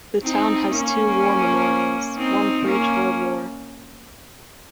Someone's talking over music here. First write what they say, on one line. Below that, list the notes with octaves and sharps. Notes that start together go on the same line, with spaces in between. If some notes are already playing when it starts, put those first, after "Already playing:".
The town has two war memorials, one for each world war.
C4 D#4
A#3 C#4
C4 D#4
A#3 C#4